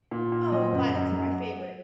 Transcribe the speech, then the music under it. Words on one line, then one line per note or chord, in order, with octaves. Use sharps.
Oh violets are my favourite!
A#2
A#2
F#3 D#5
F#2
F#2
F#3